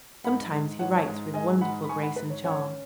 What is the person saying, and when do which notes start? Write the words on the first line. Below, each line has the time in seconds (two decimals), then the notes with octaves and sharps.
Sometimes he writes with wonderful grace and charm.
0.24 G#2 F#5 B5
0.51 G#2
0.79 G#2 C#5 F#5
0.97 C#5
1.07 G#2
1.34 G#3 D#5 G#5
1.61 G#2 F#5 B5
1.84 B5
1.89 G#2 G#5 C#6
2.03 F#5 B5
2.16 G#2 B4
2.30 C#5
2.44 C#4 C#5 F#5